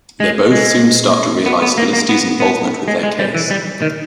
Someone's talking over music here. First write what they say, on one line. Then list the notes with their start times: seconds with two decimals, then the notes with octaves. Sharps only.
They both soon start to realize Felicity's involvement with their case.
0.20 G#3
0.52 G#3
1.46 B3
1.62 B3
1.78 A#3
1.93 A#3
2.09 B3
2.40 B3
2.88 G#3
3.03 G#3
3.19 G3
3.35 E3
3.51 G3
3.82 D#3